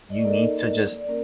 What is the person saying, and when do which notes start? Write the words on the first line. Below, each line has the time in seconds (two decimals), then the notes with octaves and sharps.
you need to just
0.10 D5 D#5
0.25 A#3 D#4 A4 A#4 D5 D#5
0.93 D5
1.08 A#3 C#4 A#4